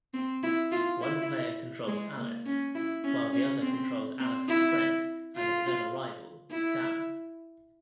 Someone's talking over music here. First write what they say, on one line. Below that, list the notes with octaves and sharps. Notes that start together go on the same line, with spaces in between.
One player controls Alice, while the other controls Alice's friend and eternal rival: Samm.
C4
E4
F4
E4
G#3
A#3
C#4
E4
C#4
C#4
C4
C4
E4
F4
E4